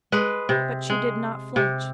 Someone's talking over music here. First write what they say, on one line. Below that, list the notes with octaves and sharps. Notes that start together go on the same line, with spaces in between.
But she did not flinch.
G#3 B4
C3
G#3
C3